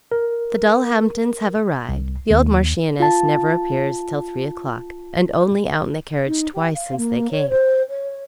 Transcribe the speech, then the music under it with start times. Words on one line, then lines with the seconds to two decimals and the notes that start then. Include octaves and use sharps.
The Dulhamptons have arrived: the old Marchioness never appears till three o'clock, and only out in the carriage twice since they came.
0.12 A#4
1.89 C2
2.30 D#2
3.00 F4 A5
6.27 D#4
6.53 G4
6.75 F5
6.96 A#3
7.31 C#5
7.49 C5
7.89 C#5